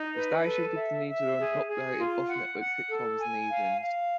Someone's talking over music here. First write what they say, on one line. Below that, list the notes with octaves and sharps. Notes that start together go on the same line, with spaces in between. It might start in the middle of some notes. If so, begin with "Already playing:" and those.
The station continued to run top rated off-network sitcoms in the evenings.
Already playing: D#4
B4
A4
E5
E5
G#4
G#4
F4
F#5
F#5
A4
G#5
F5
F5